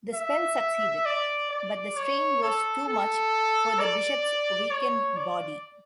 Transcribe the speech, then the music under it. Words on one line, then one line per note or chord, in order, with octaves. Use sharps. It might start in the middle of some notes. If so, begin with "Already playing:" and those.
The spell succeeded, but the strain was too much for the Bishop's weakened body.
E5
D5
D5
C#5
A4
A4
D5
C#5
D5